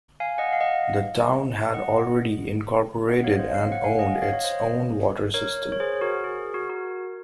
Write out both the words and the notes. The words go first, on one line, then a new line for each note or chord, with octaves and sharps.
The town had already incorporated and owned its own water system.
F5 G#5
D#5 F#5
F5
D#5 F#5
D#5 F#5
D#5 F#5
C#5 F5
C5 D#5
C#5 F5
F#5
F5 G#5
D#5 F#5
D#5
C#5 F5
C#5
C5 D#5
A#4 C#5
C#5
G#4 C5
F#4 A#4
G#4
F#4 A#4
F#4 A#4